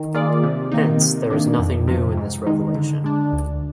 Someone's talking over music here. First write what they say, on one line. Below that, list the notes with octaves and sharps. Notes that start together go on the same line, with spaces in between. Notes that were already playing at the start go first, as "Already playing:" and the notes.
Hence, there is nothing new in this revelation.
Already playing: D#3
A#3 F4 G#4 D5
C3
D#3 A#3 D#4
C3
D#3 A#3 D4
F2
C3 F3
G#2
D#3 G#3 D#4
D3
G#3 D4
D2